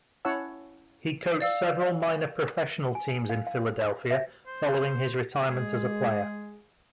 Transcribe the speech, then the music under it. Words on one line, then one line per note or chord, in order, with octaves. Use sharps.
He coached several minor professional teams in Philadelphia following his retirement as a player.
C#4 E4 C#5 F#5 A5 E6
D5 F5 E6
G#5
F5
F5
E5
C5
G#3 G#4